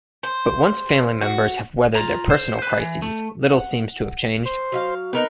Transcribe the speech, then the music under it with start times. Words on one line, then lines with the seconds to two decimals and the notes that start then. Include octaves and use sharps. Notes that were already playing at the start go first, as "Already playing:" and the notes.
But once family members have weathered their personal crises, little seems to have changed.
0.23 C5
1.21 F#4
1.95 F4 A#5
2.30 C5
2.59 B4 C5
2.80 E3
3.02 A3
3.44 F#5
4.46 C5
4.72 F#3 E5 F5
5.13 B3 D#4 A#4 B4